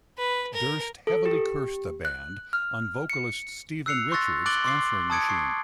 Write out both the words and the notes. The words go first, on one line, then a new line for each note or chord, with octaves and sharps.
Durst heavily cursed the band on vocalist Stephen Richards' answering machine.
B4
A#4
A4
G4
F#6
F6
C#7
E6 F#6 C7 C#7 F7
C6 C#6 E6 F#6 A6 A#6
D6 F#6 A6 D7 F#7 G7
C6 D6 C7
A5 D6 D#6 G#6 C#7 D7
C#6 C7